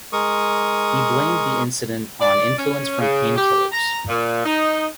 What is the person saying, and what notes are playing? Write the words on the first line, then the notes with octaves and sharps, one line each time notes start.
He blamed the incident on influence from painkillers.
G#3 A#4 C#6 D#6
D5
C#4
C#3
G4
A#5
A#2
D#4